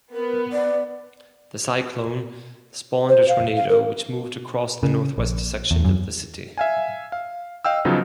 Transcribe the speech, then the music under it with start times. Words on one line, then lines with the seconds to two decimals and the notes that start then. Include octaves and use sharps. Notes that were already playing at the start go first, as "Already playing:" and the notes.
The cyclone spawned a tornado which moved across the northwest section of the city.
0.13 B3 A#4
0.52 D5
3.09 C5
3.28 F5
3.55 F5
3.69 A#4
4.83 C#3
5.18 A#1
5.71 E2
5.85 F#2
6.57 E5 F5 G#5
7.12 F5
7.65 D#5 F5 G5 E6
7.85 C#3 F3 F#3 B3 D#4